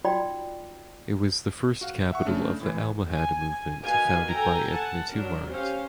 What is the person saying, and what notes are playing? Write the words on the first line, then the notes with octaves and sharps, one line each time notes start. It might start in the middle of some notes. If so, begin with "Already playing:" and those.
It was the first capital of the Almohad movement founded by Ibn Tumart.
D#4 F4 F#4 D5 G5 B5
F#4 F5
E5 F#5 C#6
C#3 A3 D4
A2 E3
G#5
D#4 F#4 A#4 B4 F5 G#5
A4 G5 G#5 A#5
F#5 A5
F#3 D4 A#4
C#4 G4 C5 F5